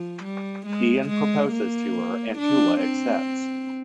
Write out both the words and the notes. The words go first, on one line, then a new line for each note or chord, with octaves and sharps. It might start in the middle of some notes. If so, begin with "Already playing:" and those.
Ian proposes to her, and Toula accepts.
Already playing: F3
G3
G#3
G#3
A#3
D4
C4